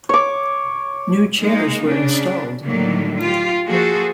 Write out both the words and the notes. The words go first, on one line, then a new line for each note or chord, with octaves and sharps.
New chairs were installed.
C#5 D6
G#3 A#3 D#4
C#3 D4
A2 D3 D#3 F#3 G3 A#3
F4 G4
F3 A#3 F#4 G#4 A4 C5